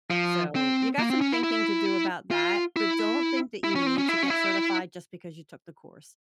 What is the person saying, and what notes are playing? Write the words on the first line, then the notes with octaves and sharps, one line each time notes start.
So, you got some thinking to do about that, but don't think that you need to get certified just because you took the course.
F3
C4
A#3
C4
C#4
E4
E4
F4
E4
E4
C#4
C4
C#4
E4
C#4
E4